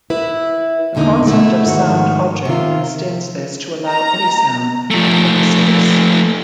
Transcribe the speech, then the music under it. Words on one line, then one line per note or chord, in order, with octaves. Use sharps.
The concept of sound object extends this to allow any sound, from any source.
E4 B4
E2 A#2 D3 D#4
B2 A3 E4
G#2 D#3 F#4
C3 D#3 F4
A#5
F3 A3